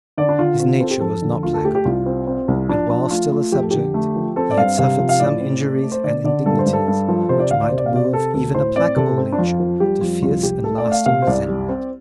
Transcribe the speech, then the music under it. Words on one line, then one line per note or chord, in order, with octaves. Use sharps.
His nature was not placable; and, while still a subject, he had suffered some injuries and indignities which might move even a placable nature to fierce and lasting resentment.
D3 D5
D4
D3 F4
C4 F4
C4 A4
G4
F2 A4
D3
D2 F4
A4
A3 G4
G4
C2 F4
C4
C4
C2
F3 D4
F3 D4
A3 F4
A3 F4
F2 G4
A4
D3 G4
A3
F3
C4 A4
D5
G2 F5
C3 F5
F3
F5
A2 D5
C4
A3
A3
C5
D3 D5
D3 D5
G2 A4
C5
G2
A4
G2
F3
C3 C5
D5
D2 F5
D5
C3 C5
D5
F5
C3 D5
C5
C4 A4
D2 A4
A2 C5
C4 D5
C3 A4
C4
D4
F2 F4
F3
G3 G4
F2 F4
C2 F4
C2 G4
A3 A4
D5
A3
F5
C3 F5
C5
C2 D5
G3
C4